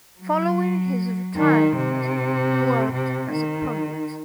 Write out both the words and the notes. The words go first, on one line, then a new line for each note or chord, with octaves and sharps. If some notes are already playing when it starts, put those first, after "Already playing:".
Following his retirement, he worked as a pundit.
F#3
D#3
C3
C3
D#3